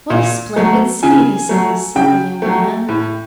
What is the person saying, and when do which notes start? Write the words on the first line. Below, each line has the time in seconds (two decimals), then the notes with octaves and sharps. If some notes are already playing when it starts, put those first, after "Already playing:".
"What a splendid city this is!" said the young man.
0.10 A#2
0.56 F#3 A3
1.03 C#3 G#5
1.49 F#3 A3
1.96 C#3 G5
2.42 F#3 A3
2.89 A2